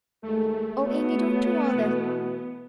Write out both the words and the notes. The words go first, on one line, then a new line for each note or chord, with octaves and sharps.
'O Amy, don't do all this.
D#2 G#3 A3 A4
B3 F#4 G#4 C#5
B2 E3